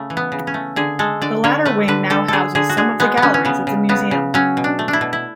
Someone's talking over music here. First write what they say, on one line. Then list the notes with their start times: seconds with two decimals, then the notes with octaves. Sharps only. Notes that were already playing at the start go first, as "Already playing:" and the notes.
The latter wing now houses some of the galleries of the museum.
Already playing: C#3 A3
0.10 E3
0.17 B3
0.32 C#3
0.47 C#4
0.54 A3
0.76 D3 G#4
0.99 G#3 A4
1.21 D3 D5
1.44 D3 C#5
1.66 A3 B4
1.88 D3 B4
2.10 D3 A4
2.28 D3 G#4 A4
2.55 D3 G#4
2.69 F#4
2.77 D3 G#4
3.00 G#3 B3
3.17 B3
3.22 D3 C#4
3.34 C#4
3.45 C#3 B3
3.67 C#3
3.89 C#3 B3
4.11 C#3
4.34 F#3 C#4
4.57 B2
4.64 D4
4.79 A3
4.88 D4
4.93 E4
5.01 B2
5.13 E4